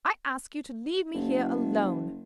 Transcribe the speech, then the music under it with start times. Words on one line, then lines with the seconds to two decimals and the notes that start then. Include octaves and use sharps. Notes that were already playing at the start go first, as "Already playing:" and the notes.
I ask you to leave me here alone.
1.14 F#1